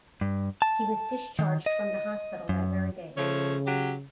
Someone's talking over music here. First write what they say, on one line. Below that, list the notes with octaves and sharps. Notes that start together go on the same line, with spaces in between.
He was discharged from the hospital that very day.
G2
A5
D#3
D#5
F#2
C#3 F3 A3 C#5
F#3 G4